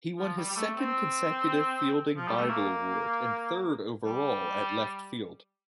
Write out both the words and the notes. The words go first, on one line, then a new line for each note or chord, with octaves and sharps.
He won his second consecutive Fielding Bible Award and third overall at left field.
F3
G3
G3
A3
C4
F3
G3
A3
A#3
G3